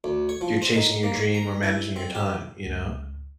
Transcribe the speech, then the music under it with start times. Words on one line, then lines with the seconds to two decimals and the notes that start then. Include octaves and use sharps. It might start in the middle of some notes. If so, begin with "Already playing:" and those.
you're chasing your dream or managing your time, you know,
0.04 D2
0.29 C#5
0.41 F3
0.62 C5
0.76 D#4
1.03 A#3
1.15 C#5
1.34 A#5
1.63 E4
1.96 C4
2.15 G4
2.66 C#2